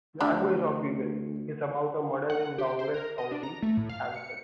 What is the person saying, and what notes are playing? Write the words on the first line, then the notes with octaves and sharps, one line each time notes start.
"Language of Evil" is about a murder in Douglas County, Kansas.
D2 D4 G4
F#5
G4
C5
A#4
D#5
D4
A#5
A3
A2
F5
C#7